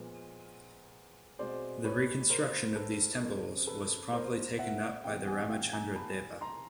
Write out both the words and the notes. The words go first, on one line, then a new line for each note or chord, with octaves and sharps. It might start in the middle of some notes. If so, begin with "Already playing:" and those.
The reconstruction of these temples was promptly taken up by Ramachandra Deva.
Already playing: A#2 F3 G#3 B3
B2 G#3 C4 C5 D5
B4 C#5
A#4 C5
A4 B4
C#3 F3 G#3 C4 A#4 C5
A4 B4
A#4 C5
E5 F#5
C3 E3 G#3 B3 F5 G5
F#5 G#5
F5 G5
G#5 A#5
A5 B5
A#5 C6